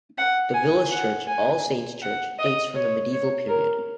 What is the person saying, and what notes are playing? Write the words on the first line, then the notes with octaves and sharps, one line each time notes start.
The village church, "All Saints' Church", dates from the medieval period.
F#5
G#5
F#5
G#5
F#5
D#5
C#5
C#5
A#4